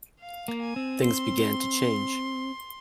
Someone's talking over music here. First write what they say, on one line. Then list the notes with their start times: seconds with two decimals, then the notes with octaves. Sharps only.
Things began to change.
0.21 F5
0.48 A#3
0.63 G#5
0.76 C4
1.04 C6